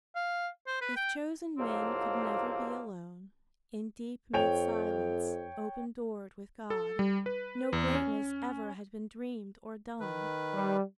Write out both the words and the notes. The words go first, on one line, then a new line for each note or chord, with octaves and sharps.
If chosen men could never be alone, In deep mid-silence, open-doored with God No greatness ever had been dreamed or done.
F5
C5
B4
G5
C2 G#2 F3 F#3 A#3 C4
F2 C#5 G5 F7
A4
G3
B4
E2
C#4
D#3 B4
G3